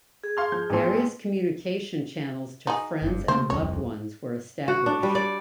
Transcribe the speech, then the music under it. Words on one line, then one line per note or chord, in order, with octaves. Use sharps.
Various communication channels to friends and loved ones were established.
G#4
F5 C6 F6
F3 G6
A1 B3 C6
D#4 F#4 G#4
F#1 G2
C#3 A3 A#3 C5
D1 C2 F2 C#5
F#4
D4
G3
D5